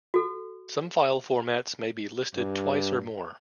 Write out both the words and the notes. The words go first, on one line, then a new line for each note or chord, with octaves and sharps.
Some file formats may be listed twice or more.
F#4 A4
G2